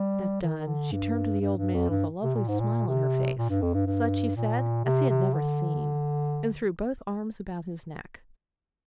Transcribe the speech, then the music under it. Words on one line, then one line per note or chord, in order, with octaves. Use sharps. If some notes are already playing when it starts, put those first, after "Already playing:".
That done, she turned to the old man with a lovely smile on her face--such, he said, as he had never seen--and threw both arms about his neck.
Already playing: G3
D#3
D3
G2
G2
G2
F2
G2
C3
A#2
G#2
A#2
C3
A#2
G2
F2
G2
G2
A#2
C3
C3
D3